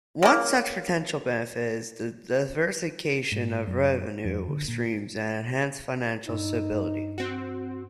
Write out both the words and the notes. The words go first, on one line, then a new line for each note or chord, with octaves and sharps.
One such potential benefit is the diversification of revenue streams and enhanced financial stability.
C#3 A#3
G#2
F#2
F2
D3
A#2
G2 D#4 E6
C4 F#4